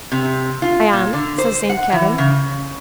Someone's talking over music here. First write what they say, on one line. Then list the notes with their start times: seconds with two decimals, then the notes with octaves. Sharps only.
"I am," says Saint Kavin.
0.12 C3
0.62 F4
0.93 A#2
1.13 D3
1.38 C5
1.70 F#5
1.92 E3
2.18 C#3